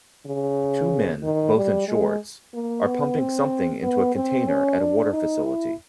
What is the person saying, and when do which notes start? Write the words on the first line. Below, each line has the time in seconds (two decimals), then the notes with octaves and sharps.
Two men, both in shorts, are pumping something into a container at a water facility.
0.26 C#3
1.23 D#3
1.56 G3
1.88 G#3
2.54 A#3
2.86 B3
3.18 C4
3.83 B3
4.16 C4
4.48 C#4
4.80 D4
5.13 D#4
5.45 E4